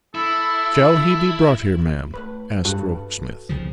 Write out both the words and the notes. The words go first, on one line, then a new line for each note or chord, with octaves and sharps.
'Shall he be brought here, ma'am?' asked Rokesmith.
E4 A4
A2 B4
G2 F#4 A4 B4
C2 C#3 F3